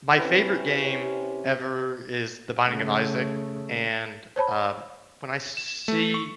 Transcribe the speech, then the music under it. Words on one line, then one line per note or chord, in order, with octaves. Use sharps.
my favorite game ever is The Binding of Isaac, and, um, when I s see
C3 C4 C#4 E4 B4 G5
C#3 A3
C5 C#5 A5 B5
E7
A3
C#6